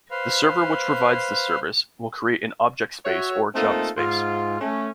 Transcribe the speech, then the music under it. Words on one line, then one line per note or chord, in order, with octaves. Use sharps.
The server which provides this service will create an "Object Space", or "JavaSpace".
B4 C5 F5
F#4 C#5 E5
A3 A#3 C4 D#4 F4 A4
G#2 F4
A3 C#4